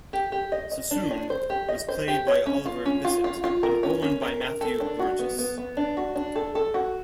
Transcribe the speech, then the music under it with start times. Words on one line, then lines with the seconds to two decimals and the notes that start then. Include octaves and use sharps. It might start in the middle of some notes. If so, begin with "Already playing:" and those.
Sassoon was played by Oliver Bisset, and Owen by Matthew Burgess.
0.13 G4
0.32 G4
0.52 D#5
0.72 D#5
0.91 D4
1.11 D4
1.30 C5
1.50 G4
1.69 D#5
1.88 C5
2.08 G4
2.27 C#5
2.46 C#4
2.66 F4
2.86 C#4
3.05 F4
3.24 F4
3.44 F4
3.63 A#4
3.83 C#4
4.03 C#4
4.22 A#4
4.41 A#4
4.61 A4
4.80 D4
4.99 F#4
5.19 B3
5.38 B3
5.58 B3
5.77 D4
5.97 F#4
6.16 D4
6.36 A4
6.55 A4
6.74 F#4